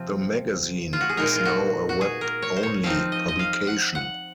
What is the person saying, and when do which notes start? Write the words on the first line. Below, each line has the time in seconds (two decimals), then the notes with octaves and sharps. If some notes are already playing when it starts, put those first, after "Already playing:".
The magazine is now a web-only publication.
Already playing: C3 F3 C4
0.93 F4
1.01 F#4
1.09 G#4
1.17 A#2 G#3 D#4 A#4
1.36 F4
1.45 F#4
1.89 F#4
2.01 G#4
2.21 A#4
2.42 C#5
2.56 C5
2.63 C#5
2.83 F3 C4 D#4 F5
3.12 D#5
3.28 D#5
3.39 F5
3.67 F#5
3.95 F#5